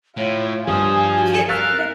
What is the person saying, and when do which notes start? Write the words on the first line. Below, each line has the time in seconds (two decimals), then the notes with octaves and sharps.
kids, the
0.17 A2 F4 C#5
0.67 G2 F3 C5 G#5 D#6
1.17 F#4
1.49 A#4 F5 E6 F#6 A6 B6